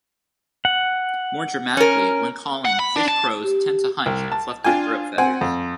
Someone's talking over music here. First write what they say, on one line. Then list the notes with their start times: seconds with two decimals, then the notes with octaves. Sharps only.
More dramatically, when calling, fish crows tend to hunch and fluff their throat feathers.
0.65 F#5
1.77 C#4 A#4
2.65 F#5
2.79 B5
2.96 D4
3.08 A5
3.44 G4
4.06 C2
4.32 A5
4.64 D4 F4 G5 G#5
5.18 C4 F#5 G#5
5.41 F2